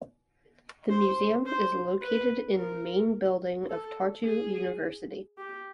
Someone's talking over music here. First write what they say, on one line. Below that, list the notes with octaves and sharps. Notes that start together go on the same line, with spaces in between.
The museum is located in Main building of Tartu University.
C5
C5
B4
A#4
A4
G#4
G4